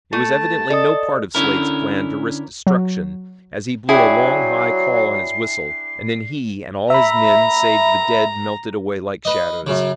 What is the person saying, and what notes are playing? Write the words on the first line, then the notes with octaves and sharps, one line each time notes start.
It was evidently no part of Slade's plan to risk destruction as he blew a long high call on his whistle, and then he and all his men save the dead melted away like shadows.
A3 A5
A4 D5 D#5 D#6
D3 C#4 E4 A#4
F#3
F#3 D4 E4 G#4 G5 C#6 C7
E5 A#5 B5
B4 D#5
F#2 C#3